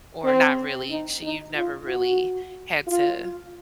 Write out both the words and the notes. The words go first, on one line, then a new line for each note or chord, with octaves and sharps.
Or not really, sh you've never really had to,
C4
D#4
D#4
F4
F#4
F4